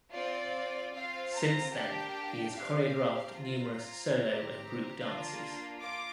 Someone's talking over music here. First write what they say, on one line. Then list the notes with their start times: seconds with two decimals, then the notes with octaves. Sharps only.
Since then, he has choreographed numerous solo and group dances.
0.11 C4 F4 D5
0.92 C4 F4 F5
1.33 A#5
1.73 A#3 D4 G4 G5
2.54 C4 G4 F5
3.35 C4 F4 A#5
4.17 C4 G4
4.98 A#3 D4 F4
5.79 A#3 F4 D6